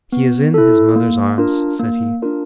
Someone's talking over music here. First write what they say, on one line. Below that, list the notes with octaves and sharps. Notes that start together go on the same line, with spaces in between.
'He is in his mother's arms,' said he.
B3
E4 A4
A#3
D4 F4 A#4
A#3
D4 F4 A#4